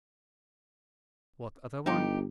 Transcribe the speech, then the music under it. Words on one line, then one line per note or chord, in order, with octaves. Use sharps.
"What other one?"
G1 D#4 G4